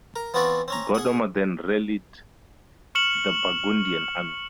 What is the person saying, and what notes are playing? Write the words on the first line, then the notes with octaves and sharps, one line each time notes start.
Godomar then rallied the Burgundian army.
A#4
E3 B3 C4 F4 F#4 D5
C4 C#4 A#5
G#4 F#5
C#6 F6 C#7 E7 F#7